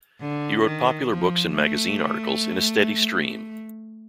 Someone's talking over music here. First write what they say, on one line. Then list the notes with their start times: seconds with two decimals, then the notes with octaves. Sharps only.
He wrote popular books and magazine articles in a steady stream.
0.21 D3
0.65 D#3
1.10 F3
1.56 A3